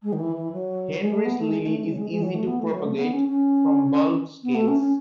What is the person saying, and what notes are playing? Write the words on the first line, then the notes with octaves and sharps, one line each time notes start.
Henry's lily is easy to propagate from bulb scales.
G#3
D#3
E3
E3
F#3
G#3
A3
B3
A3
G#3
A3
G#3
F#3
G#3
G#3
F#3
A3
B3
A3
F#3
A3
B3
C#4
C#4
B3
A3
C#4
C#4